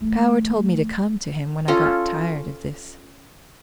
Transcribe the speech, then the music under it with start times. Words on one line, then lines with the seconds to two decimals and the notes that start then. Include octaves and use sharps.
Power told me to come to him when I got tired of this.
0.01 E3 A3
1.68 C#4 F4 A4 D#5